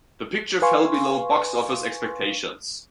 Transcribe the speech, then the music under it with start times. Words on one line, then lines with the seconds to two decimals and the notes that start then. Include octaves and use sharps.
The picture fell below box-office expectations.
0.62 B4 F5 G#5 C6 C#6